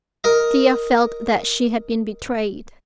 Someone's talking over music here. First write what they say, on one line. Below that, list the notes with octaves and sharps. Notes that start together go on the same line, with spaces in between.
Thea felt that she had been betrayed.
A#4 D#5